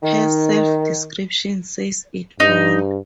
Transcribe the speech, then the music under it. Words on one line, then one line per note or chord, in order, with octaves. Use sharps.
Her self-description says it all.
D#3
G2 D#4